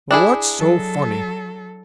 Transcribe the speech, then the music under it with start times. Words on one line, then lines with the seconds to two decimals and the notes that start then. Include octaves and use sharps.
What's so funny?
0.11 D4 E4 G#4
0.58 F#3 A4